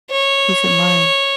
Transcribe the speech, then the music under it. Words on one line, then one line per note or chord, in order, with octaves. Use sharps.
Peace of mind.
C#5